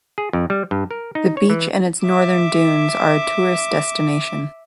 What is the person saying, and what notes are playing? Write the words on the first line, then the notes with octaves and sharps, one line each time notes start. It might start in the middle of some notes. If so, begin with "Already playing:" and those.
The beach and its northern dunes are a tourist destination.
G#4
F2
G3
G2
A#4
D#4
C#5
E3
E5 D6